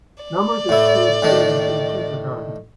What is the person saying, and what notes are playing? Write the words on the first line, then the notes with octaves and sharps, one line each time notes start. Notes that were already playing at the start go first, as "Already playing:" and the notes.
Numbers exclude students in kindergarten.
D5
A2 E4
A2 D#3 D4